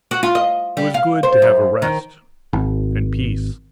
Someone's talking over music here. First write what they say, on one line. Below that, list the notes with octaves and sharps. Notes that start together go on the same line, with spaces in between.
It was good to have a rest--and peace.
F#4
F4
D#5
G3
F5
C5
F#2
D#3
G#1